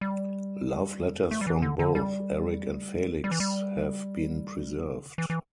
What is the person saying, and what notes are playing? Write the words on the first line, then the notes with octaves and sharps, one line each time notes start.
Love letters from both Eric and Felix have been preserved.
G3
A3
G3
E3
D3
D3
G3
G3
E3
G3
E3
E3